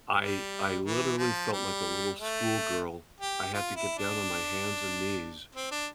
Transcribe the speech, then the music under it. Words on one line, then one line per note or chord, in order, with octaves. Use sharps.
I I literally felt like a little schoolgirl, I had to get down on my hands and knees
G3
E3
F3
G3
A3
G4
F4
E4
D4
C4
D4